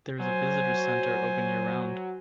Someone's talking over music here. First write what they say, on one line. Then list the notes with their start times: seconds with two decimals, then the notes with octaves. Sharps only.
There is a visitor center open year-round.
0.20 F#3 C5 G#5